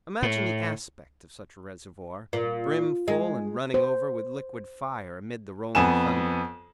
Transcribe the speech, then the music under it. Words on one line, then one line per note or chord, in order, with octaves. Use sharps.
Imagine the aspect of such a reservoir, brim full and running over with liquid fire amid the rolling thunder.
A2
A#2
G#3
C5
F2 B3 G#5 E7